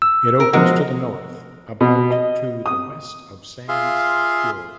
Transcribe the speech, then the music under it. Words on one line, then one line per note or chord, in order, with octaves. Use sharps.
It opens to the north about to the west of Sands Fjord.
E6
A#4
F3 G#3 B3 F#4 A#4
B2
D#5
D#6
F4 G#4 E5 F5 C6